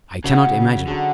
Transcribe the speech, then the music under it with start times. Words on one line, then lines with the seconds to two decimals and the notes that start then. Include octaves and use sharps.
I cannot imagine.
0.24 C#3 D4 F#4 B4 E5
0.87 D3 F#3 A3 C#4 G#4